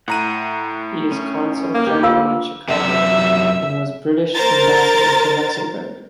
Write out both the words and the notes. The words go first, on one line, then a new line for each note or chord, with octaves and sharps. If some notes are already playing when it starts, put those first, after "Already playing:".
He is Consul General at Chicago, and was British Ambassador to Luxembourg.
A2 F#5 A#5 D#7
C#4
A#3
D3 A#3 G4
F4 F5 E6
F#2 C3 E5
A#4 C5 A#5 A6